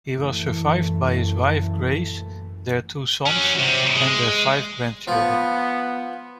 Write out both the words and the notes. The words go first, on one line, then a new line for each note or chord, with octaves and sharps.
He was survived by his wife Grace, their two sons, and their five grandchildren.
F#2 A#2 E3 A3
F#3 C#4
C3
G#3
F3 B3